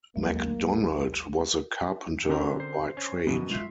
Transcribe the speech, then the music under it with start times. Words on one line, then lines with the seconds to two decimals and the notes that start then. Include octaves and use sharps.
Macdonald was a carpenter by trade.
0.16 A1 D#2 F#3 G#3 A#3
2.29 D3 C4 C#4 F#4 A#4
2.60 C5
2.97 C#4
3.27 F#2 B2 D3 F3 B3
3.50 G#3 F4 E5